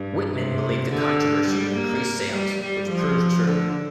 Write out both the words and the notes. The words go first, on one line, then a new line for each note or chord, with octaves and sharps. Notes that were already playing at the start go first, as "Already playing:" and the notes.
Whitman believed the controversy would increase sales, which proved true.
Already playing: G2
C3
D3
G3
A#3
G3
G3
F3
D3